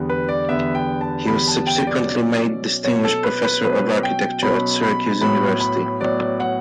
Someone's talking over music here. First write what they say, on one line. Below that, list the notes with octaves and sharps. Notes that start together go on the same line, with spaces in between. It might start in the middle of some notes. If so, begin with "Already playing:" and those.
He was subsequently made Distinguished Professor of Architecture at Syracuse University.
Already playing: E2 D3 G3 B3
B4
D5
E2 D3 G3 B3 E5
G5
A5
E2 D3 G3 B3 B5
A5
G5
D5
B2 F#3 C#4
B2 F#3 C#4 C#5
A4
B4
B4
B2 F#3 C#4 B4
G5
B2 F#3 C#4 B5
B5
A2 F#3 B3 B5
B5
A2 F#3 B3 D5
F#5